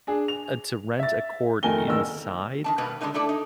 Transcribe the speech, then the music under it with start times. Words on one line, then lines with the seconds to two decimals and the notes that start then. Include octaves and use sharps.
uh, to rent a court inside
0.07 D4 G#4
0.28 F7
0.99 E5 A6
1.63 F2 D#3 A3 A#4 G#5 G7
1.87 F#1 E2 D#3 A#4 E6
2.64 D#3 D4 A5
2.78 G2 B2 G3 A#3 B4
3.01 D3 G#3 D4 D#4 A#4
3.14 A3 D4 E4 A4 D5
3.29 D#4